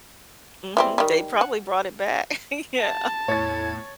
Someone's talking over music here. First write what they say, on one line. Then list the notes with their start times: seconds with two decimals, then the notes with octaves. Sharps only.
Mhm. They probably brought it back. Yeah,
0.77 E3 G3 C4
0.98 D#3 G3
1.41 F#5
2.82 A5
3.28 E2 A2 E4 C#5 G#6 A6